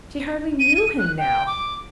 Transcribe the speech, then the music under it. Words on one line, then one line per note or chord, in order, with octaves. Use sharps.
She hardly knew him now!
D#7
F#6
G5
D6